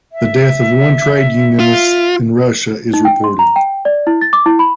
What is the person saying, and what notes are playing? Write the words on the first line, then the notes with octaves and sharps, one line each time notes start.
The death of one trade unionist in Russia is reported.
E5
F4
D#4
G5
C6
A#5
G5
D5
E4
A6
D6
E4
B5